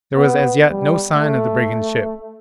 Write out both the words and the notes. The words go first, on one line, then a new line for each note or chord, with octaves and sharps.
There was as yet no sign of the brigand ship.
B3
G3
A3